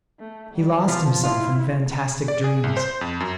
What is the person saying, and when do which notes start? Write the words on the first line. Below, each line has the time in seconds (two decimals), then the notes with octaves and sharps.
He lost himself in fantastic dreams.
0.20 A3
0.54 G3 G#3
0.88 F3 B3 A5
1.23 E4 F4
2.28 D5
2.44 G#4
2.64 C2
2.77 C5
3.01 F2
3.20 F#2